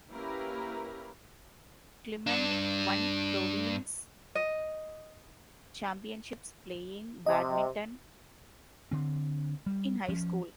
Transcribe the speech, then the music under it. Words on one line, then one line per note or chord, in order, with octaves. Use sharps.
Clement won province championships playing badminton in high school.
A#3 C#4 E4 G4 A#4 B4
G2 D4
D#5
C3 D#5
D3 C4
G3
F3 C#4